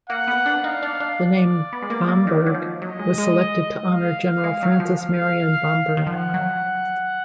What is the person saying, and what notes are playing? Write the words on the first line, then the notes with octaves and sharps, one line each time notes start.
The name Bamberg was selected to honor General Francis Marion Bamberg.
A#3 F#5
B3
D4
D#4 F5
D4
D4
D5
B3
G#3
A#3
A#3
D#3
F#3
F3
F#3 D#5
G#3
G#3
F5
G#3
F#3
F3
F5
D#3
F3 F#5
F#3